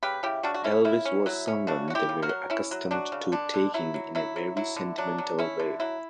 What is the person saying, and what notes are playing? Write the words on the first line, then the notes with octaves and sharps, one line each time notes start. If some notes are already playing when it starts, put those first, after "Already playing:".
Elvis was someone they were accustomed to taking in a very sentimental way.
C#3 G4 B4
C#3 E4 G4
C#3 D4 F#4
F#4
C#4 E4
C#3 E4
C#4
F#3 E4
C#4
C#3 D4 F#4
C#4 F#4
E4 G4
C#3
F#4 A#4
F#3
C#4 E4
F#3
F#3 D4 F#4
C#3
D3 D4
D3
F#3 E4
F#3
F#3 E4
F#3
F#3 E4
D3
F#3 D4
F#3
C#4 E4
D3
F#3 E4